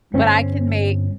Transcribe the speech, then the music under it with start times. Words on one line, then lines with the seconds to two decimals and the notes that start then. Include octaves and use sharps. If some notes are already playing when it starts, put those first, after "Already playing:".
But I can make
0.14 G1 C4 C#4